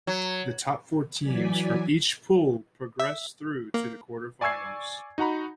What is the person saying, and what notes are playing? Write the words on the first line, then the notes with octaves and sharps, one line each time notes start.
The top four teams from each pool progressed through to the quarter-finals.
F#3
E3 F#3 D5 G#5 B6
E5
A#3
D5 G#5 C#6 E6 G#6 C7
D#4 F#4 F#5 A#5 B5